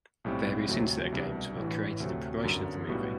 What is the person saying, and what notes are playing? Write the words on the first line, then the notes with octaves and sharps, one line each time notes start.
Various internet games were created in promotion of the movie.
B1 A2 G3 C4
D2 C3 F#3 A3
C2 B2 G3 D4
A1 A2 E3
D2 C3 F#3 A3
G1 F#2 D3
B1 A2 G3 B3 F#4